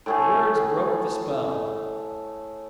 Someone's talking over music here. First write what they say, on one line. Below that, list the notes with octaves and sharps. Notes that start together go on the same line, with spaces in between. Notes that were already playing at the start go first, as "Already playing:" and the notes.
The words broke the spell.
A2 A3 G#4